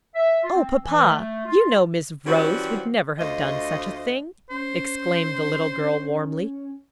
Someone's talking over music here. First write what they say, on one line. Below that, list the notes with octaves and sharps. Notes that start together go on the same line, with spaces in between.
"Oh, papa, you know Miss Rose would never have done such a thing!" exclaimed the little girl warmly.
E5
F4
C4
E3
A3
F4
E3 F3 G3 C4 C#4 F#4
D2 A3 F4 C5 D#5
C#4 C5